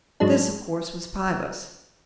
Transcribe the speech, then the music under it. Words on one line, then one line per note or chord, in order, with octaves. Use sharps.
This, of course, was Pybus.
G#2 F#3 G#3 D4